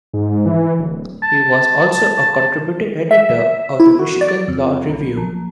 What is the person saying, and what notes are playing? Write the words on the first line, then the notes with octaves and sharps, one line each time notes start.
He was also a contributing editor of the "Michigan Law Review".
G#2
E3
D1
A5
E5
E4
F#4
D5
F2
B1
A#1